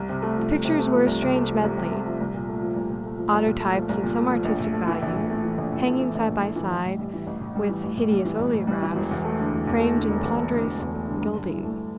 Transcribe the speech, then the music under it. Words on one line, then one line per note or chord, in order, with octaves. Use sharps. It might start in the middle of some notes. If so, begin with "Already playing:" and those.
The pictures were a strange medley--autotypes of some artistic value hanging side by side with hideous oleographs framed in ponderous gilding.
Already playing: C2
C3
A3
F3
C2
C3
A3
F3
C2
C3
A3
F3
C2
C3
A3
F3
C2
A#2
A3
F3
C2
A#2
A3
F3
C2
A#2
A3
F3
C2
A#2
A3
F3
A#1
A2
A3
E3
A#1
A2
A3
E3
A#1
A2
A3
E3
A#1
A2
A3
E3
A1
A2
G3
E3
A1
A2
G3
E3
A1
A2
G3
E3
A1
A2
G3
E3
E1
E2
A3
D3
E1
E2
A3
D3
E1
E2
A3
D3
E1
E2
A3
D3
G2
D3
E4
A3